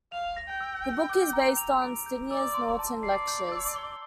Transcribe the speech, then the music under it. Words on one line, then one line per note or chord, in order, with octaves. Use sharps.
The book is based on Steiner's Norton lectures.
F5 F7
A#6
G5
E6
G6
D6
A#5
F7
D7
G6
D5 E6
C6
A5
D5 C7
G6
E6
G7